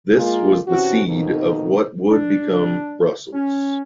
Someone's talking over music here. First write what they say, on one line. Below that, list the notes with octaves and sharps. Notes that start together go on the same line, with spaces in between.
This was the seed of what would become Brussels.
G#3 A#3 F4
C3 E3 C#4 F#4
F2 B2 D#3 D#4
D4
C#4